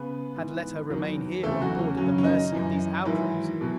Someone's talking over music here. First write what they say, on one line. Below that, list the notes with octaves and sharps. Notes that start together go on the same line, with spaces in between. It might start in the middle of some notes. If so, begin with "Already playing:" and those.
Had let her remain here on board at the mercy of these outlaws.
Already playing: C#3 B3 B4
G#2 E3
E2 D#3 F#3
E2 C#3 E3 A3 A4
F#3 F#4
C#4
F#2 C#3 F#3 C#4
C#4
D#3 D#4
F#2 E3
G#2 D#3 E3 F#3 E4
B2 F#3